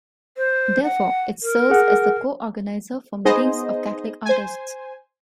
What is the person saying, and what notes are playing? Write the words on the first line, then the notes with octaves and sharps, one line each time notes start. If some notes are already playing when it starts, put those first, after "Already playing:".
Therefore, it serves as the co-organizer for meetings of Catholic artists.
C5
F#5
A#4
G#4 F#5
B3 D#4 G#4 C5 D#5
C5 G#5